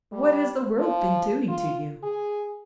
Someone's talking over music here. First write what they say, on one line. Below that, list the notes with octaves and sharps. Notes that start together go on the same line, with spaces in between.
'What has the world been doing to you?'
G3
F3
F4
G#4